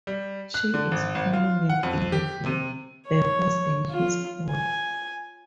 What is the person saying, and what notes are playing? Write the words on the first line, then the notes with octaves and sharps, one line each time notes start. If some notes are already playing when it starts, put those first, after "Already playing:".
She is prominent in the book "The Horse and His Boy".
G3
F#6
D3
G#1
G#1
F4
F#5
F2
G4
C3
C#5
F4
G#5